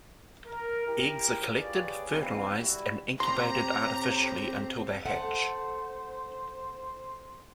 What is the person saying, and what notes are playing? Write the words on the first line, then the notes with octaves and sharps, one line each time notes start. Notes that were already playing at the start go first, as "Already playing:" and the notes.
Eggs are collected, fertilized and incubated artificially until they hatch.
A#4
E4 G4 A#4
F4 G4 G#4 B4 C#5 D5
G2 B2 E3 G#3 A#3 C4
G3 E4 F#4
A2 C4 G4 A#5 C6
A3 C5 F#5